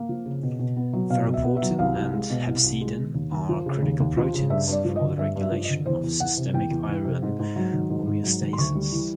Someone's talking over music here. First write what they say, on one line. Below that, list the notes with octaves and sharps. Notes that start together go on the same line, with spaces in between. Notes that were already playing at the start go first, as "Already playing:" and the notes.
Ferroportin and hepcidin are critical proteins for the regulation of systemic iron homeostasis.
Already playing: A#3
F3
C#3
B2
B2
B3
F#3
B2 F5
B2
E5
B3
E5
F#3
C2 F5
C2
G#3
B2
C2
C2
G#3
B2
D#2
D#2
F3
C#3
D#2
D#2
F3
C#3
G2 E5
G2 D5
F3
D#5
D3
G2 E5
G2
E5
F3
D#5
D3
E2 C5
E2
E3 F#5
C3
E2 G5
E2
E3
C3
G#2
G#2
F#3
D#3
G#2
G#2
F#3
D#3
C6
D2 C#6
G3
E3